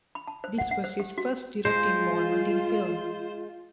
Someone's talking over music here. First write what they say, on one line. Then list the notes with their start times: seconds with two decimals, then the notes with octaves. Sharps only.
This was his first direct involvement in film.
0.15 B5
0.28 A5
0.44 C5
0.58 F#5
0.71 F#5
0.84 C5
1.00 G4
1.18 F#4
1.65 G#3 F4 C5